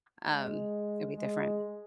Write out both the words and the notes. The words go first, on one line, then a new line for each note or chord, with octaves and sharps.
Um, it'll be different.
G#3
G#3